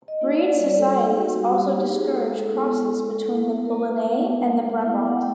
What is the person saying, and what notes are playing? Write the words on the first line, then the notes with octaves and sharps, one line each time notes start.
Breed societies also discouraged crosses between the Boulonnais and the Brabant.
D#5
A#3 D#4 F#4
D5
C#5
G3 D5
A4
A#3 D#4 F#4
F#4
F#4
G3 G4
G4
F#4
A#3 D#4 F#4 G4
G#4
G#3 A4
B3 E4
G#3
B3 E4
G#3 A#4
B4
B3 E4 A#4
B4
G#3 F5
B3
E4
F#5
A3 G5